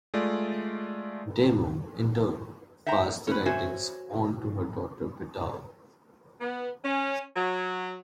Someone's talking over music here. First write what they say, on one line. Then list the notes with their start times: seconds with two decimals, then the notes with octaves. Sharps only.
Damo, in turn, passed the writings on to her daughter Bitale.
0.14 G#3 A3 F4 D5
2.86 E5 F#5 G5 A#5
3.27 C#4 B4
3.46 F#4 C5 C#5 E5 G#5
6.40 B3
6.83 C#4
7.35 F#3